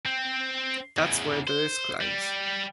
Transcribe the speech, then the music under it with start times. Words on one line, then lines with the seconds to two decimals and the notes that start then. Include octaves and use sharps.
That's where the risk lies.
0.06 C4
0.97 E2 C#3
1.47 C5
2.01 G3